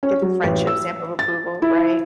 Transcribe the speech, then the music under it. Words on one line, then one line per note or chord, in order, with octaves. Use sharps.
Get the friendship stamp of approval. Right?
C#4
F#3
A1
E6
A6
E4